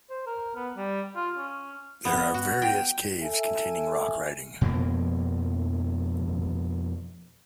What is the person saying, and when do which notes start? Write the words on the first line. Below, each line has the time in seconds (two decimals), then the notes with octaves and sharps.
There are various caves containing rock writing.
0.10 C5
0.27 A#4
0.56 B3
0.77 G3
1.16 F4
1.37 C#4
2.05 B3
2.34 F#4
2.62 G5
3.21 A4 E5 G#5
4.61 F2 B2 F3 A#3